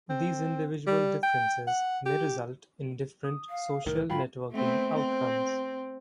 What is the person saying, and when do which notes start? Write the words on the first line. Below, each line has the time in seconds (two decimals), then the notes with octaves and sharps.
These individual differences may result in different social networking outcomes.
0.10 C4
0.87 G3
1.23 G5
1.67 F#5
2.06 G4
3.24 D#6
3.50 F5
3.86 C2 A2 D#3 A#4
4.10 G#2 F#3 F4 F5 G5 B5
4.52 A3 B3 C4
4.96 C4